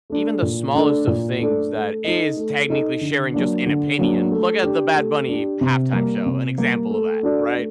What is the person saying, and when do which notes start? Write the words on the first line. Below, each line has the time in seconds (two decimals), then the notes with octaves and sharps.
even the smallest of things that is technically sharing just an opinion. Look at the Bad Bunny Halftime show, an example of that, right?
0.10 A3 D4
0.42 A#2
0.74 A3 D4 A4 D5
1.07 A#2
1.39 A3 D4 A4 D5
1.72 A3
2.04 D#4 A4 D#5
2.37 A3
2.69 D#4 A4 D#5
3.01 D3
3.34 F#3 A#3 D4
3.66 D3
3.99 F#3 A#3 D4
4.31 A3
4.63 D4 G4
4.95 A3
5.28 D4 G4
5.61 C3
5.93 G3 A#3
6.26 C3
6.58 G3 A#3
6.90 A3
7.23 D4 F#4 A4 D5
7.55 A3